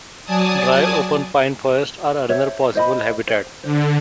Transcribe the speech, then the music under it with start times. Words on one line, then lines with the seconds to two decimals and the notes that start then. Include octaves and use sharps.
Dry open pine forests are another possible habitat.
0.25 F#3 D5 G#5 A5 D#6
2.29 C5 C#5 E5
2.75 C5 D#5 B5
3.27 C5
3.63 D3 C5